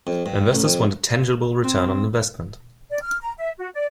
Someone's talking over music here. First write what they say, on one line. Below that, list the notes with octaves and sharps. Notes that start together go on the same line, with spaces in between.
Investors want a tangible return on investment.
F2
G2
A1
F2
C4
D5
F6
A#5
E5
F#4
D5